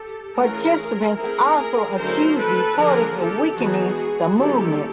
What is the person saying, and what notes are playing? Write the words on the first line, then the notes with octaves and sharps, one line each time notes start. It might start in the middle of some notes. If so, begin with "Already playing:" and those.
Participants also accused reporters of weakening the movement.
Already playing: G4 A4
E3 A3 C#4 F4 G#4 A#4
A3 C4 E4 G#4 A#4
D3 F#3 A3 C#4 E4 A#4 C5
A4 B4
D3 F3 A#3 G#4 A#4
G4 A4
E3 G#3 B3 D#4 F#4 G#4
D#3 G3 A#3 C#4 E4 G4 A4